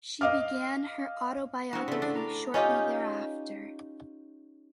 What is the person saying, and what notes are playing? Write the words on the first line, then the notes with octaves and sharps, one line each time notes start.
She began her autobiography shortly thereafter.
D#5 F5 D6 F6
C4 D4 E4 F#4 F#5
C#3 A3 D5 C6 B6
D4
E4 A#5 D6
C#4 D#4 F4 G4